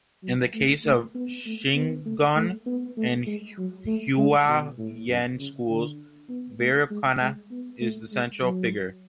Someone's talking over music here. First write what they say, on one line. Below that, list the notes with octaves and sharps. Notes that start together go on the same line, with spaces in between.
In the case of Shingon and Hua-Yen schools, Vairocana is the central figure.
F#3
A3
A3
B3
A3
B3
A3
A3
B3
A3
G#3
F#3
A3
G#3
B2
A2
F#2
C#3
D3
B3
A3
G#3
G#3
B3
A3
G#3
F#3